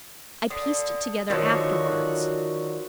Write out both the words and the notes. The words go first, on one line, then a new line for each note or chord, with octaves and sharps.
I pieced it together afterwards.
D3 D#6
D3 D#3 F3 F#3 F#4 C#5 D#6 E6